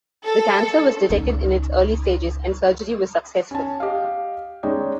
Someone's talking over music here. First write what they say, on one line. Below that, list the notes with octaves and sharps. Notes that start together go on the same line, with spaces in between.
The cancer was detected in its early stages, and surgery was successful.
A4
C#2 D#4
C#4 A5
G4 D#5 F5
G#3 C#4 D#4 C#5 D5 G5